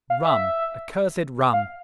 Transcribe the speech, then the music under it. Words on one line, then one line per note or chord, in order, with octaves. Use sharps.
RUM, accursed RUM!
F5
E5
F5